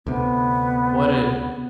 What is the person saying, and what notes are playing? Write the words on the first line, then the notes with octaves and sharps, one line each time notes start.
What did
D2 C3 B3